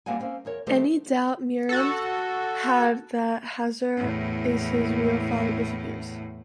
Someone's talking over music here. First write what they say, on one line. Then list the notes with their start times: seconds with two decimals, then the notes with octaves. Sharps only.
Any doubt Miran had that Hazar is his real father disappears.
0.06 G3 A#3 C4 F#5 G#5
0.20 A#3 C4 C#4
0.45 E2 A#4 C#5
0.67 D#3 G3 A3 G4 A4 C5
1.69 F#4 A4
3.97 E2 A2